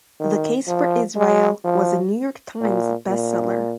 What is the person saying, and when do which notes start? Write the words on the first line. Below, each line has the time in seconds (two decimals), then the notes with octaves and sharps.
"The Case for Israel" was a "New York Times" bestseller.
0.20 D#3
0.68 F3
1.16 G#3
1.65 F3
2.61 A#2
3.08 A#2